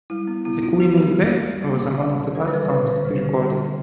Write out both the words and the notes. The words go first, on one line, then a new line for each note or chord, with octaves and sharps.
"The Queen Is Dead" was among the last songs to be recorded.
G3 E4
B3
B3 E4
D#4 F4
B3 F#4
G3 G4
G3
G3
G3
A#3
D3
G3
D3
D3 A4
B4
G3 A#4
D3 B4
D3 B4
G3 C5
D3
G3
D3